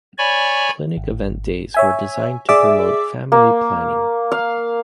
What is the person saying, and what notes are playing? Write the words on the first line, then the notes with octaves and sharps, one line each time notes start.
Clinic event days were designed to promote family planning.
C#5 D5 G#5 B5 C#6
G#1
C#5 E5 G#5
G#4 D5 E5 D6 E6
A#3
F5